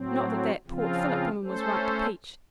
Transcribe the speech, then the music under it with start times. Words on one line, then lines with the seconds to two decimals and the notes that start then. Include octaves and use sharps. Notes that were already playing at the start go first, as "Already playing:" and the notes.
Not that that Port Phillip woman was right to peach.
Already playing: A2 F#3 C4
0.66 C#3 F3 C4 F4
1.44 A3 C#4 A4 C5